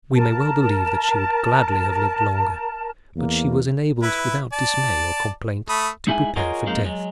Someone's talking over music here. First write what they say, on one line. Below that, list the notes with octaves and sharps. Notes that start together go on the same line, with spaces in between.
We may well believe that she would gladly have lived longer; but she was enabled without dismay or complaint to prepare for death.
A#4 A5
E2 A#3
E4 B4
D5 A5
A3 B5 D#6
G#3 D#4 E4 G#4 E5 G#5
F4 F#4 G#4 A#4 C#5 D#5
F2 F#3 G#3 A#3 D#4
F#3 G#3